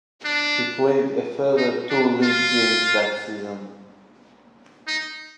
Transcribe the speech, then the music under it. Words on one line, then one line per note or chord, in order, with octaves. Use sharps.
He played a further two league games that season.
D4
D#4
D4
F4
D#4